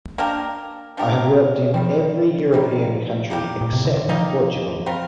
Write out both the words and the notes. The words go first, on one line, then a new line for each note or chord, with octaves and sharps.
I have worked in every European country except Portugal.
A#3 D4 G4 A#4
A#3 D4 G4 A#4
D#3 F3 G3 C4
D#3 G3 C4
G3 A#3 D#4 G4
A#2
C3
D3
D#3
F3 G3 A#3 D#4 G4
G3 C4 F4 A#4